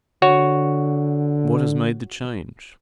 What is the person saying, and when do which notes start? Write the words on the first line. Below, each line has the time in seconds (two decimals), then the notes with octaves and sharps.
What has made the change?
0.22 D3 F#4 C#5